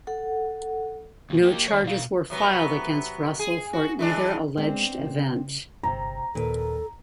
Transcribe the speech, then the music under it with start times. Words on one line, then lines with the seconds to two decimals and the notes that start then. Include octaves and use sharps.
No charges were filed against Russell for either alleged event.
0.07 A4 F#5
1.30 D#2 B2
1.43 A#3 G4
1.68 D#3 C#5
1.84 B2 F5
2.30 C3 F#3 B3
3.39 G#4
3.73 F#4
3.99 E3 G#3 D4
4.57 G#3 B3 C4 D4
4.99 C#3
5.83 G1 C3 A#5
6.35 D#2 A#2 A4 B4